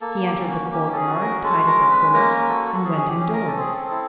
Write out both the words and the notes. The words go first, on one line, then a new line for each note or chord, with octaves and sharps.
He entered the courtyard, tied up his horse, and went indoors.
A#3 A4
G4
C#4
F#4
C#4 G4
A4
G#4
F#4
A#4
G#3 A4
A#4
C#4
B4
A#3 A#4
F#4 A4
A4
C#4 G#4
G#4
G4
C#4
A#4
A4
C4 G#4
A4
E4